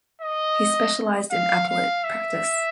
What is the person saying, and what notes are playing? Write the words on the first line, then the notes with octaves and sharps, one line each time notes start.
He specialized in appellate practice.
D#5
F5
F5
E5